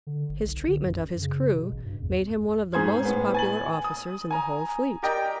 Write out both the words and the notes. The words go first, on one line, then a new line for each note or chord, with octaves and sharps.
His treatment of his crew made him one of the most popular officers in the whole fleet.
D3
G1
B1
D3
F#2
C#3
B2
A1
G2
E2
G#2 G#4 C5 G#6
A2 B3
G#5 A6 F#7
D#6
G#5 A#5
G4 A#4 D5 D#5 G5